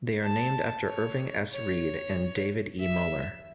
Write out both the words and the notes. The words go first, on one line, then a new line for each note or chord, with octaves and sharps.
They are named after Irving S. Reed and David E. Muller.
A5
C#5
C#5
E5